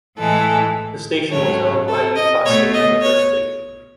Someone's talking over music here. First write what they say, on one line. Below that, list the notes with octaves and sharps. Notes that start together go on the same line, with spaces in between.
The station was owned by Utah State University.
A2 E3 G#3 A4
G#2 F#3 A3 C#5
A4
D#5
B2 A3 C#5
D#5
C#5